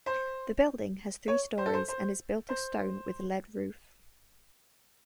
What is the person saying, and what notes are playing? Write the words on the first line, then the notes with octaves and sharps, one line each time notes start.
The building has three storeys and is built of stone with a lead roof.
C5
C#5
C5
A4
C5
C5
C5